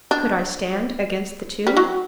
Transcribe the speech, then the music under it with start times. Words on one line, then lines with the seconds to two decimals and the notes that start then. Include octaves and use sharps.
Could I stand against the two?
0.11 D4
1.67 G3
1.77 F#3